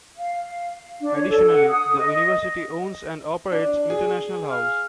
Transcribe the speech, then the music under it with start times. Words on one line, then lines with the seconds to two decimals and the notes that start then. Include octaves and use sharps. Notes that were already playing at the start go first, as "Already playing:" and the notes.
Additionally, the University owns and operates International House.
0.17 F5
1.00 D4
1.16 C#5
1.29 A4
1.50 F#5
1.69 D#6
1.99 D#5
3.52 D4
3.90 G#4
4.51 F5